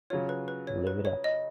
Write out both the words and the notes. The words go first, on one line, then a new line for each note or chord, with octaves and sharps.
Live It Up!
C#3 F#3 C#4 F4 C#5
B4
B4
C#5
B4
C#5
D#5